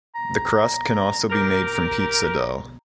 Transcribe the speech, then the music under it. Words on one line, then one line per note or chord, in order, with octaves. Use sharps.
The crust can also be made from pizza dough.
A#5
G4 A#4 A#5
A#5